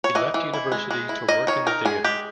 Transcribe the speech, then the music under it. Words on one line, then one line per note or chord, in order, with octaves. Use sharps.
He left university to work in the theater.
C#5
E3 D#5
E3
E4
G#3
G#3
E4
D#3 D#5
D#3 C#5
D#4 A#4
G#3 G#4
G#3 G4